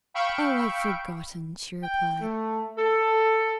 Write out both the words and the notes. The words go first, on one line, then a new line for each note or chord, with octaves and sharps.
"Oh, I've forgotten..." she replied.
F5 G5 B5 C#6 E6 D7
G5
A3
A4